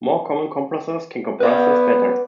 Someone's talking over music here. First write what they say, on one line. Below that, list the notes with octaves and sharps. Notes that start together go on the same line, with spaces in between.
More common compressors can compress this better.
B3 B4 D5